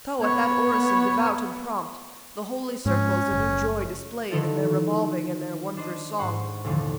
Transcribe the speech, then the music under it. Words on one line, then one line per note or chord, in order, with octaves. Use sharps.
So, at that orison devout and prompt, The holy circles a new joy displayed In their revolving and their wondrous song.
B3 C#5
G#2 F3 C#4
F#1
D3 D#3 F3 D#4 E4 A4
D#3
D4 C5 D#5
G#2 C5 F#5 C#6
D#2 A#2 D3 E3 F3